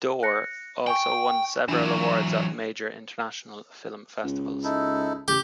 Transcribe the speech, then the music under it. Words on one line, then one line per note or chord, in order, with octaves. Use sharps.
"Door" also won several awards at major international film festivals.
F#6 A#6 C#7
G5 G#5 C#6
E3 F#3 D4 E4
C#2
D#4 E4 A4
A1 G4